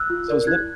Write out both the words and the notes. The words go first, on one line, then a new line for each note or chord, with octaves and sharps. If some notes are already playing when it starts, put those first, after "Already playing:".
So, it was lit
Already playing: E6 F#6
F4
A#4 D5
E4 F#6 G#6